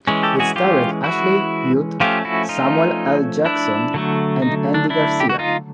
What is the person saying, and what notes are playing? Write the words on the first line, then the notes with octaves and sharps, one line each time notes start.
It starred Ashley Judd, Samuel L. Jackson and Andy Garcia.
E3 G#3 C#4
G4 A4
F#4 G#4
F4 G4
E4 F#4
F3 A3 C#4 F4 G4
E4 F#4
D#4 F4
D4 E4
D3 F#3 A3
D#4
D4
D4 E4
G4
F#4
D#4 F4